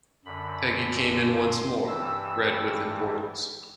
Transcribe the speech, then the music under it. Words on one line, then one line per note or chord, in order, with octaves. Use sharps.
Peggy came in once more, red with importance.
F#2 D3 B5
C6
G2 E3 E6